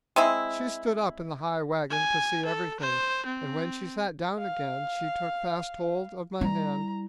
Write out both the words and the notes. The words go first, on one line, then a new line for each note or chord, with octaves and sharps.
She stood up in the high wagon to see everything, and when she sat down again she took fast hold of my hand.
G#3 C4 E4
G#5
A4
C5
C4
F5
G3 E4 A#5